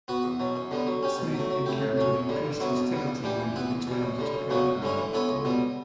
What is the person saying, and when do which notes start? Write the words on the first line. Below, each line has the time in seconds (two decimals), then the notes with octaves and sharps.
Smith encountered increased hostility when he returned to Kirtland.
0.08 B3 F#4 B4
0.24 E2
0.40 B2 F#3
0.56 F#2
0.71 D3 G3 B3
0.87 F#3
1.03 C#4 G4
1.19 B2
1.34 F#3 A3
1.51 F#3
1.66 A3 E4 G4
1.82 A2
1.98 F#3 C#4
2.14 F#2
2.29 D3 G3
2.45 G2
2.60 F#3 B3 E4
2.76 B2
2.93 G3 B3
3.07 G2
3.24 E3 G3 D4 G4
3.39 E3
3.56 B3 E4 B4
3.71 E2
3.87 B2 G3
4.03 F#2
4.19 D3 G3
4.34 F#2
4.50 C#3 F#3 B3 F#4
4.66 F#2
4.82 D3 G3 C#4 E4
4.98 E3
5.13 B3 E4 A4 C#5
5.29 C#2
5.45 B2 G3 B3